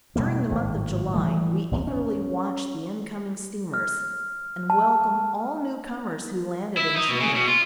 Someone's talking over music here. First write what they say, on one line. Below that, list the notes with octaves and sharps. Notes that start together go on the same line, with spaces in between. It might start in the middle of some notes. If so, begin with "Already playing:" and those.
During the month of July we eagerly watched the incoming steamers, and welcomed all new comers who landed in Chinik.
B2 G3 A3 A#3
G#1 A2 C3
E3 G3 A3
E1 D#2
C#4
F6
A5
E4
D#4
B2
C#3
B2
F4